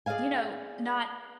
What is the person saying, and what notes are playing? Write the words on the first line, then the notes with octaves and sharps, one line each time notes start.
you know, not
G#4 D5 D#5 F5 G#5